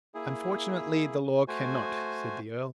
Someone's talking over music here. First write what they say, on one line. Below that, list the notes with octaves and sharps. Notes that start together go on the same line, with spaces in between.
"Unfortunately the law can not," said the Earl.
A#3 E4 G#4
A3 F#4 C5 G#5